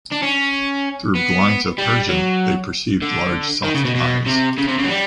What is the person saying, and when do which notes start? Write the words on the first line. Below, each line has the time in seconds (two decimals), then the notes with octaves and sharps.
Through blinds of persian, they perceived large soft eyes.
0.12 D4
0.23 C#4
1.15 B3
1.78 G3
2.09 F#3
3.02 D3
3.64 D#3
3.74 C#3
3.85 B2
3.95 B2
4.26 C3
4.58 C#3
4.68 C3
4.79 C#3
4.84 F#3
4.89 G3